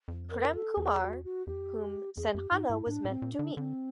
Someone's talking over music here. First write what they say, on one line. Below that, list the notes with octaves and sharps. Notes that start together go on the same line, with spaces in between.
Prem Kumar, whom Sanjana was meant to meet.
F2
A#4
A4
E2 G#4
F#4
F#4
F2 G4
F2 G#4
F#2 G4
G#2 D#4
G#2 E4
A2 D4
A2 C4
A#2
D4
D3
D3 C4